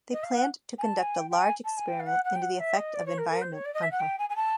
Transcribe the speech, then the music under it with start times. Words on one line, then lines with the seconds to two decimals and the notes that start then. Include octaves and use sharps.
They planned to conduct a large experiment into the effect of environment on health.
0.12 D#5
0.23 F5
0.36 F#5
0.78 G#5
0.82 A5
1.00 G#5
1.18 G5
1.30 G5
1.41 G#5
1.64 A5
1.77 G#5
1.88 G5
1.99 F5
2.06 F#5
2.24 F#5
2.35 G5
2.42 F#5
2.59 E5
2.76 D#5
2.94 D5
3.06 C#5
3.18 A#4
3.30 A#4
3.41 C5
3.53 C#5
3.65 D5
3.74 D#5
3.82 E5
3.91 F#5
4.00 G5
4.18 G#5
4.29 G#5
4.35 A5